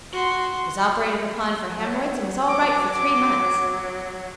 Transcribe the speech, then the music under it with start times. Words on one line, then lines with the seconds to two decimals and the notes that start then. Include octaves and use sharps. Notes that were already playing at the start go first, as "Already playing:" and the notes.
Was operated upon for hemorrhoids and was all right for three months.
0.13 F#4 C6
1.80 F#3
2.49 D6